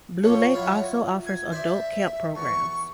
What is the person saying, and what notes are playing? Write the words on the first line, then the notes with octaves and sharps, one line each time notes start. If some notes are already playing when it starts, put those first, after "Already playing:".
Blue Lake also offers adult camp programs.
A2 F3 C#5
F#3 E4 F4
G#6
C5 D5 E5
E2 C#6